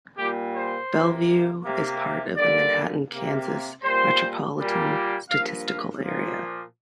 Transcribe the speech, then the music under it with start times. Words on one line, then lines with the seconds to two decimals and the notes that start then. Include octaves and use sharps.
Belvue is part of the Manhattan, Kansas Metropolitan Statistical Area.
0.18 A#2 G3 A#3 G4
0.55 C5
0.92 C3 F3 A#3
1.64 C3 A#3
2.37 G2 D3 A#3 D5
3.11 C3 A#3
3.83 A#2 G3 A#3 C5
4.57 A#2 G3 A#3
5.30 G2 F3 A#3 F5
5.66 F5
6.04 A#2 F3 A#3